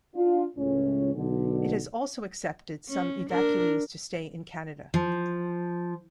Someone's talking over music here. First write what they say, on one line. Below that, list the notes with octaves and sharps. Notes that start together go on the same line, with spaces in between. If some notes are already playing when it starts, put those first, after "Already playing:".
It has also accepted some evacuees to stay in Canada.
D4 F4
C#2 A2 C#4
B1 B2 D3
C#4
D4 A#4
F3